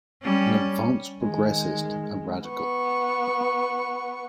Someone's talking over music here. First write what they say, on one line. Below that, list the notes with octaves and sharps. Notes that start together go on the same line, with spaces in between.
An advanced progressist a radical.
G3 C#4
D#3 G#3
B3 C#6